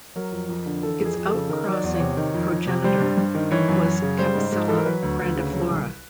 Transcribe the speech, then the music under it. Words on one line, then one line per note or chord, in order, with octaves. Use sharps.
Its outcrossing progenitor was "Capsella grandiflora".
F#3 A#4
F2
F2
D3
E3 A4
F2
G#4
F2
A4
C#3
D#3 A#4
F#3
D5
E2
C#5
C3
D#3
F2
F2
C3
G3 C5
G2
G2
D#3
E3 C#5
F#2
F#2
C#3
G3 C5
G#2
G#2
E3 A4
A#4
F#3 B4
D2
D2
C#3
F#3
C2